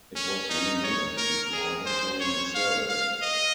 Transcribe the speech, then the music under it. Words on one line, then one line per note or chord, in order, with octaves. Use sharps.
It was renamed before entering service.
C#4
D#4
C#5
A#4
G#4
C5
C#5
F5
F5
D#5